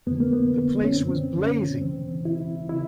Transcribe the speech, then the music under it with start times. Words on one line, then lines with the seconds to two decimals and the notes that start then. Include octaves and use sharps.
The place was blazing.
0.07 F2 D3 B3
0.20 A#3
0.33 B3
0.84 C#4
0.94 F#2 D3 C4
1.38 C#4
1.82 E2 C#3 E3 C4
2.25 E4
2.69 C#3 E4